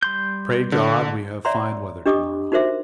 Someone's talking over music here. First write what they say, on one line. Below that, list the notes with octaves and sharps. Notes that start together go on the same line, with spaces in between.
Pray God we have fine weather to-morrow.
G3 C6 G6
D3
C#5 D5 E5 F#5 A#5 C6
D4 G4 D#5 D6 D#6
D#4 F#4 A#4 C5 E5 D6